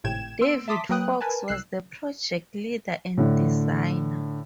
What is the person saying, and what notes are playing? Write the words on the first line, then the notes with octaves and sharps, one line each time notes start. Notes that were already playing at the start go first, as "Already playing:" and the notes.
David Fox was the project leader and designer.
G#1 A2 C3 G5 G#6 E7
B3 C6 E6 D7
E5 A5 C6 D6 D#6 B6
F#3 A#3 B4 G5 D#6 F#6
A#4 B4 G#5 A5
C2 E6 F#6 C7
A2 D3